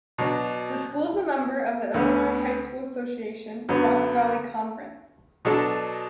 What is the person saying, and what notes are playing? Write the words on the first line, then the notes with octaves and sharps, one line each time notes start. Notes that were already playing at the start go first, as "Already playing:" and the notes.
The school is a member of the Illinois High School Association, Fox Valley Conference.
B2 F#3 D4
D2 D3 B3
F#2 D3 F#3 B3
B2 F#3 D4 A4